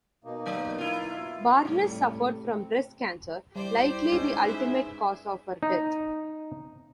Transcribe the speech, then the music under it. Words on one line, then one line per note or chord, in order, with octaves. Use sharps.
Barnes suffered from breast cancer, likely the ultimate cause of her death.
B2 A#3 D#4
F#3 B3
E4 F4
A2 C3 G3 A3
C4
G3 E4 G4 C5 D5
G#2 G#3 C#4
E4 G#4 B4 C5 E5
D#4